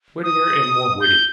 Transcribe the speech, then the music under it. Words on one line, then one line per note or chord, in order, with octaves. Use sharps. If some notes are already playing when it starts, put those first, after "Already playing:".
'Wittier and more witty.
D#6
G6